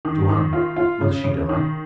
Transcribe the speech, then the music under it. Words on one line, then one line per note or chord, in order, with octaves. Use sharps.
"Tuan, will she die?"
D#3
D#3
F4
F4
C#3
C#3
D#3